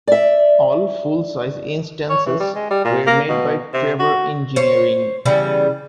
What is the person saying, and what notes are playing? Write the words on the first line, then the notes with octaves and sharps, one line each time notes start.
All full-size instances were made by Traver Engineering.
D5 E5
C#5
E3
G3
G#3
G3
A#2
A#3
B2
C3
F#4
C5 C#5
C#3 E3 G3 B3